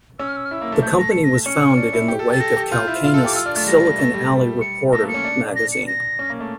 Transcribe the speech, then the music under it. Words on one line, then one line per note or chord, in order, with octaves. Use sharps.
The company was founded in the wake of Calacanis' "Silicon Alley Reporter" magazine.
C#4 E6
F6
E6
F6
E4 E6
A#3
A3
A3 G6
A#6
C#7
A#6
C#4 C#7
D4
E4
G4
A4
G4 A6
A4 A#6
G4
F4 G6
E4
F4 F6
A4 E6
G4 D6
F4 E6
D4 F6
A3 A6
G3 A#6
A3
G3
C#7
A3 A#6
A#3
C#7
C#4
D4
A#6
C#7
A#6
C#4
A#3
A3